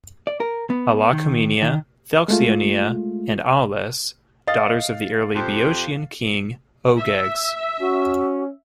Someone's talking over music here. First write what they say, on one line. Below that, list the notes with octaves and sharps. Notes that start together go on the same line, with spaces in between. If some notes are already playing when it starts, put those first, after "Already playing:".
Alalcomenia, Thelxionoea and Aulis, daughters of the early Boeotian king Ogyges.
D5
A#4
B3
D#3
D#3
G#3 A3 F4
D#5 F5 A6
F2 G4 C5
E5
C#4 F#4